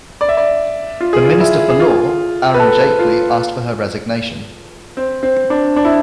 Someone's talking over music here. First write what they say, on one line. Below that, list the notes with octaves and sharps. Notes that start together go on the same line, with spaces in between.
The Minister for Law, Arun Jaitley asked for her resignation.
D5
E5
D5
F4
G#4
F4
E4
G#4
F4
B4
A4
F4
C4
C4
D4
D4
E4